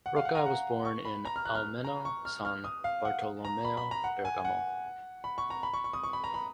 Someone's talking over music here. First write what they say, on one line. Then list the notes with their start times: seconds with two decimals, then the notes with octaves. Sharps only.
Rocca was born in Almenno San Bartolomeo, Bergamo.
0.06 F#5
0.16 F5
0.25 F#5
0.35 A#5
0.46 F#5
0.85 C#6
1.05 B5
1.25 A#5
1.36 F6
1.45 F#6
1.55 F6
1.85 A#5
2.05 C#6
2.25 F6
2.45 F6
2.64 D#6
2.84 F5
3.05 F#5
3.45 A#5
3.65 B5
3.77 B5
3.91 A#5
4.04 F#5
4.25 G#5
4.45 F#5
5.24 B5
5.38 C#6
5.50 A#5
5.63 B5
5.74 C#6
5.84 C#6
5.93 D#6
6.03 C#6
6.13 B5
6.24 A#5
6.34 B5